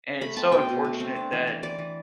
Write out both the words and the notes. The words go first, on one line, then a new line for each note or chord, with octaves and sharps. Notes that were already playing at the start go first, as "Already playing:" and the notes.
and it's so unfortunate that
A3 B5
C4 A5
B2 G5
B2
A3
C4
D4
E3
E3
E3 D5
E3